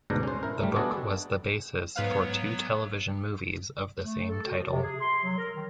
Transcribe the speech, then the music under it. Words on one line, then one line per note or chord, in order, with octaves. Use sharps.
The book was the basis for two television movies of the same title.
D2 G#2 B2 D4 A#5
C#4 C5
E4 A#4
G3 A3
B3 D4 F#4 G#4 A4 D#5
G#2 F#3 B3 B4 C#5 F5
A3
A4
F#4
F3
C3
G#4
C6
F#3
A#4
D#3